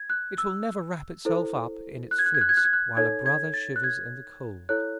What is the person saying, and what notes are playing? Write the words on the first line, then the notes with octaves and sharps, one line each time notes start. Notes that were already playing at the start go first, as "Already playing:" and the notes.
It will never wrap itself up in its fleece while a brother shivers in the cold.
Already playing: G#6
F#6
E6
E4 A4 C5
F#6
G#6
F#6
G#6
F#6
G#6
F#6
G#6
F#6
D#4 A4 C#5 G#6
G#6
A6
F#6
G#6
E4 A4 C#5 F#6